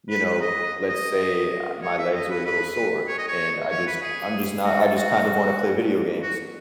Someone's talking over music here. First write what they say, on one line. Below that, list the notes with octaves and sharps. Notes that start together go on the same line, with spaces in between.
you know, let's say I my legs are a little sore, and I just I'm just not I just kind of wanna play video games.
B4
B4
D#5
D#5
C#5
E5
D#5
B4
B4
C#5
D#5
C#5
C#5
B4
G#4
F#4
A4
F#4
F#4